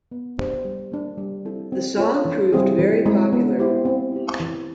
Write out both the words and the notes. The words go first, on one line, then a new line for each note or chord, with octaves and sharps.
The song proved very popular.
B3
D4 G4 C5
G3
A#3 D4
G3
C4 E4 A4
C4
F4 A4 C#5
E3
G3 C4 E4 G#4
E3
G#3 C4 E4
B3
E4 G4 C5
C4
E4 G4
E3